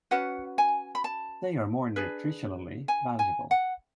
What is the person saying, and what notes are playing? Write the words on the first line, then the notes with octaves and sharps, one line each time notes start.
They are more nutritionally valuable.
C#4 F#4 B4 F#5
G#5
B5
A5
D4 G#4 B4
G#5
G#5
F#5